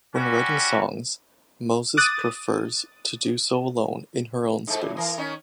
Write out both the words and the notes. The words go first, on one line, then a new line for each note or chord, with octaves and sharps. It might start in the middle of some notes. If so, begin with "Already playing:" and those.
When writing songs Moses prefers to do so alone in her own space.
G3 C#4 F#4
D6 D#6 F#6 A6 D#7
G#2 A3
F#2
E3 A#4
D#3 C#4